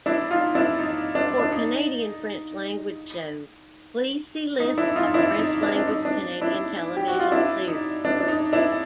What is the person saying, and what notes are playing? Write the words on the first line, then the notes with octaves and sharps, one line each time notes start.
For Canadian French-language shows, please see List of French-language Canadian television series.
D4 E4
D#4 F4
D4 E4
D#4
D4
D4
D#4
D#4
D4 E4
D#4 F4
D4 E4
D#4
D4
D4
D#4
D4
D4 E4
G4
F#4
F4
D4 E4
D#4
D4
D4
D#4
D4 E4